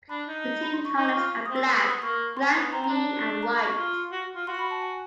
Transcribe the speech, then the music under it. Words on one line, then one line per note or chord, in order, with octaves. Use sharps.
The team colors are black, lime green and white.
D4 B5
D#4
B5
C6
C#6
D#4 C6
D6
C#6
F4
C6
C4 D#6
E6
B3 E6
E6
D#6
A#3 C#6
C4 C6
B3 C6
C4 A#5
A#5
D4
A5
A#5
B5
C#6
F4
F#4
F4
F#4 C6
B5
A5
G#5